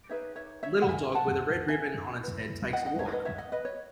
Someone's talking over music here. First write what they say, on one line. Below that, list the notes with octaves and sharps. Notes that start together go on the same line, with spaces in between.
A little dog with a red ribbon on its head takes a walk.
D#4 G#4 B4 C#5 E5
C#5 E5
C#5 E5
F#5
E5 G#5
F#5 A5
E5 G#5
E4 B4
D#5 F#5
D#5 F#5
C#5 E5
B4 D#5
C#5 E5
D#5 F#5
B4 D#5
C#5